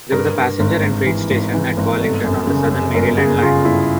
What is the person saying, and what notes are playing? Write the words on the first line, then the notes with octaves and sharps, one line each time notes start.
There was a passenger and freight station at Collington on the Southern Maryland Line.
G2 A#4
G2
G#1
G#1
E3
G#1
E3
G#1
G1 A4
F#2
C#3
F#2
G1 A#4
C#3 G#4
C#3 F4
G1 E4